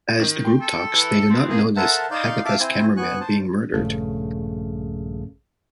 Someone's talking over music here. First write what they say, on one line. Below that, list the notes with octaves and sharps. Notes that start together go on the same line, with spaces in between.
As the group talks, they do not notice Hagitha's cameraman being murdered.
D#3
G5 C6
A4
E3
A3 B3 C4
C3 A#3 G#4
A4 A#4 C5 E5 F#5 A5
D#4 D5 F5 C6 G6
E5 F5 A5 D6
C4 E4 C5 G#5
B3 G#5 C#6 F#6
C5 A5
A#1 G2 C#3 A3